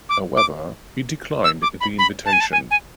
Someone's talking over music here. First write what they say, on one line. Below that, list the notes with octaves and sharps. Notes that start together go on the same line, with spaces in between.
However, he declined the invitation.
D6
D6
E6
D6
B5
B5
A5
G#5
A5
G#5
G#5